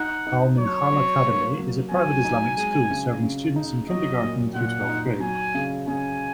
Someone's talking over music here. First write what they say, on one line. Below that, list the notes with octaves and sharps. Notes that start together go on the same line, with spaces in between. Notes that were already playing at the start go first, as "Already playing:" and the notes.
Al-Minhaal Academy is a private Islamic school serving students in kindergarten through twelfth grade.
Already playing: D#4 F#5
D#4
F#3 C#5
F#3
A#3
F#3
F#3 G#5
D#4
G#3
C#3
C#3
D#4
F#3 D#5
A#2
A#2 F#5
D#4
F#3 G#5
C#3
C#3 G#5